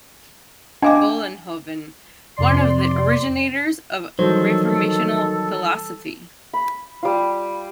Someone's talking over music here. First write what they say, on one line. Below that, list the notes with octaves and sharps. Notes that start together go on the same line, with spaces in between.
Vollenhoven, one of the originators of Reformational philosophy.
D4 D#5 F5 G5 G#5 D6
F2 C3 D5 C6
D#3 E3 F#3 G3 A4 C5
B5
G3 F4